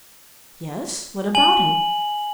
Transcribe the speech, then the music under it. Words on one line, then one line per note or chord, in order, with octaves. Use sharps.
"Yes, what about him?"
G#5 F#7